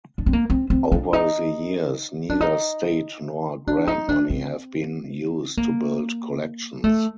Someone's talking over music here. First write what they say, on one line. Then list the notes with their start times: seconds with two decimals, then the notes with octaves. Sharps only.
Over the years, neither state nor grant money have been used to build collections.
0.18 D4
0.26 C4
0.33 A#3
0.50 C4
0.70 C4
0.92 D4
1.13 D#4
2.29 D4
2.41 D#4
3.67 D4
3.87 D#4
4.09 D4
4.30 C4
5.57 A#3
6.84 A3